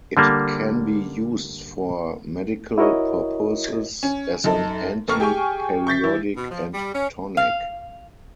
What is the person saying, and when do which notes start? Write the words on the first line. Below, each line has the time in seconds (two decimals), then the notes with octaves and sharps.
It can be used for medical purposes as an anti-periodic and tonic.
0.17 D3 G3 A#3
2.78 E4 F#4 A#4 C#5 D#5
4.03 C#4
4.44 F#2 D#4 A4 A5
5.08 F1 A#3 A4 C#6 F6
5.20 G4 G#4 G5 G#5 C#6
5.87 C#6 G6 A6 B6
6.03 E3 E4
6.37 B2
6.51 F3
6.73 G3
6.94 C#4
7.37 F5